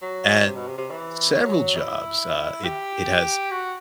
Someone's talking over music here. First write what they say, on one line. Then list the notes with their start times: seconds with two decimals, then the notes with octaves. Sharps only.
And several jobs, uh, it it has,
0.02 F#3
0.45 C3
0.56 B2
0.67 C3
0.78 C3
0.90 E3
1.33 F#3
1.76 E4
2.64 G4
3.51 F#4